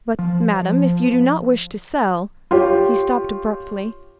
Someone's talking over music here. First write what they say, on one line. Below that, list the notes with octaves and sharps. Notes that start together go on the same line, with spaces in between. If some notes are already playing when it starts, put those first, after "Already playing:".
"But, madam, if you do not wish to sell--" He stopped abruptly.
F3
F4 G4 C#5